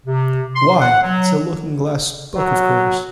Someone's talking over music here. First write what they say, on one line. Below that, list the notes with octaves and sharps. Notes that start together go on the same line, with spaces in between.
Why, it’s a Looking-glass book, of course!
C3
C6
F#5
F#3
F#3